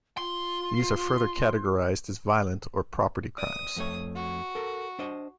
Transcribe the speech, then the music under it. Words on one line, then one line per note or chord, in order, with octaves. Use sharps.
These are further categorized as violent or property crimes.
F4 C6
D5 D#6
F2 A3 C#5
F#4
A4 A#4
D4 C5 D#5